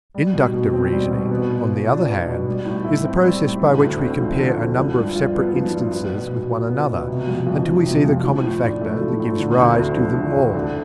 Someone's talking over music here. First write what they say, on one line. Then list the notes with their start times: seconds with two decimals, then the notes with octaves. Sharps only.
Inductive reasoning; on the other hand, is the process by which we compare a number of separate instances with one another until we see the common factor that gives rise to them all.
0.14 G3
0.34 B2
0.53 B2
0.73 C4
0.92 G3
1.11 B2
1.30 B3
1.49 B2
1.69 F4
1.88 D4
2.07 B3
2.27 B2
2.46 G3
2.65 A2
2.85 E4
3.04 C4
3.23 G3
3.42 A2
3.61 D3
3.80 D2
4.00 C4
4.20 F3
4.38 D3
4.58 D2
4.77 F3
4.96 G2
5.16 F4
5.35 B3
5.54 F3
5.73 G2
5.93 B3
6.12 B2
6.31 B2
6.51 F4
6.69 B3
6.89 B2
7.08 C3
7.27 F2
7.47 F2
7.66 F3
7.85 C3
8.05 F2
8.24 F3
8.43 A2
8.62 D4
8.81 A3
9.00 F3
9.20 A2
9.40 D3
9.58 D2
9.78 D2
9.97 F3
10.16 D3
10.36 D2
10.55 D3